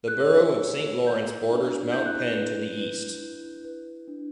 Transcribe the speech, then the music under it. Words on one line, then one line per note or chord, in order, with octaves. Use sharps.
The borough of Saint Lawrence borders Mount Penn to the east.
F#6
C#5 E6
G4
G4 G6
D4
E4 G6
F#6
G6
B4
B4
E4
B4
D4